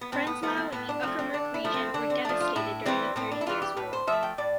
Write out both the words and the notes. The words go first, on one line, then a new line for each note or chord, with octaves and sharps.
Prenzlau and the Uckermark region were devastated during the Thirty Years' War.
B3
A2 C4
B3
F3 A3 B3
C4
A2 B3
D4
F3 A3 C4
C4
D3 D4
E4
F3 A3
C4
D3 D4
C4
F3 A3 D4
F4
A2 E4
E3 G3 C4
A2 C4
D4
E4
E3 G3 F4
G4
A2 B4
C5
F3 A3 E5
G5
A2 D5